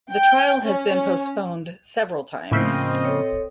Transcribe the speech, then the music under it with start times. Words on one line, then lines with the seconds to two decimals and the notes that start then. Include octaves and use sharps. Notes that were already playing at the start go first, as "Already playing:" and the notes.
The trial has been postponed several times.
0.12 G5
0.63 C#4
2.51 A2 C#3 F3 A#3 C4 D#5 E5
3.05 A4 C#5